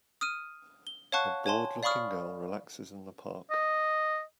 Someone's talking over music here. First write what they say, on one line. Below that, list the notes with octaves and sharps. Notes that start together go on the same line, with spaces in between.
A boredlooking girl relaxes in the park.
D#6 F6 D#7
G7
C#5 F5 F#5 A5 C#6 F#6
C#5 G#5 A5 C6
D5 F5 B5 C#6 D#6 F6
D#5